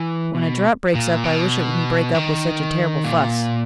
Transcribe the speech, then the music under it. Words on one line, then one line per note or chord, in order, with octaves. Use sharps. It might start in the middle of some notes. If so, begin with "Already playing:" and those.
When a drought breaks up I wish it wouldn't break up with such a terrible fuss.
Already playing: E3
B2
A#2
B2
D#3
A#2